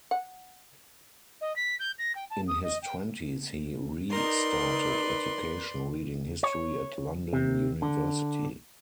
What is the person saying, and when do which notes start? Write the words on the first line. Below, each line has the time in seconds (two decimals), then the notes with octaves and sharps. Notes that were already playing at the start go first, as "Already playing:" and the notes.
In his Twenties he re-started education reading history at London University.
0.11 F#5
1.41 D#5
1.56 B6
1.79 G6
1.98 A#6
2.15 G5
2.30 A5
2.47 D#6
2.63 D#5
2.82 G5
4.13 D#4 A#4 B4 D5 C6
6.43 C#5
7.33 C3
7.82 D3